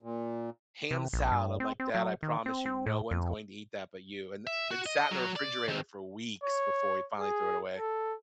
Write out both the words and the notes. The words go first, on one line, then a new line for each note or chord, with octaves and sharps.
ham salad. I'm like, "Dad, I promise you, no one's going to eat that but you," and th it sat in the refrigerator for weeks before he finally threw it away.
A#2
C3
A#1
G2
C4
C4
F#3
D#3
C4
C4
A2
F2
E5
F#4
D#5
F#3
D5
D#3 C4
C#5
G#4
A4